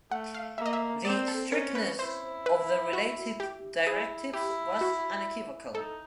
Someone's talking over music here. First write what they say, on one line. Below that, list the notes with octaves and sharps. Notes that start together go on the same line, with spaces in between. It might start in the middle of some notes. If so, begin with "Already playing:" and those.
The strictness of the related directives was unequivocal.
A3 F#5
F5
A#3 E5
D#5
E5
C4 D5
A4
C#4 A#4
B4
E4 C5
B4
F#4
G4
E4 G#4
E4 G4
F#4
D#4 A4